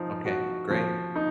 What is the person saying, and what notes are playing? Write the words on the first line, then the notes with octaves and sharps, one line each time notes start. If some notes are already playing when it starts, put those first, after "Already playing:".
Okay. Great.
Already playing: F3 D#4
F#4
F3
D#4